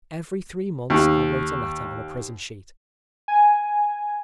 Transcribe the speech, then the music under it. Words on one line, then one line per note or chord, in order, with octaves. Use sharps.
Every three months I wrote a letter on a prison sheet.
D#2
G#5